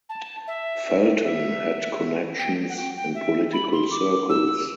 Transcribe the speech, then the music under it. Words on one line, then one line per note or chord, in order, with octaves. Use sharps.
Felton had connections in political circles.
A5
E5
E5
G5
F#5
G5
G5
E5
B5
C6
D6
E6